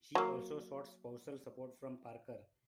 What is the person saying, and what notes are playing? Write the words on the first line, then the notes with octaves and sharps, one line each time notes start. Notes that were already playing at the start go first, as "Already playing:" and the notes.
She also sought spousal support from Parker.
F#3 A#3